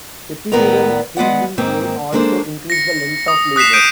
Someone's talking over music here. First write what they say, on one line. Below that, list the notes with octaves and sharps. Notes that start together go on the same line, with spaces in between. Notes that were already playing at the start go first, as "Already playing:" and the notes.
Epidural freezing may also increase the length of labor.
A2 D#3 B3 A#4 D5 A#5
G#3 B3 D5 F#5
G#2 D#3 A#3 C4
G#3 A#3 D4 A4 C5
A#6 C#7
D#6
D#6 F#6 B6 C7 E7
D#6 G6 D7 D#7